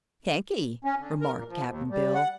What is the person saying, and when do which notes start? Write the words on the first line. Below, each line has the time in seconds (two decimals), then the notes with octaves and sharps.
"Thank'e," remarked Cap'n Bill.
0.85 C#4
0.99 D3
1.21 A#4
1.35 A#2
1.48 F3
1.66 D#2
1.91 G3
2.15 F#5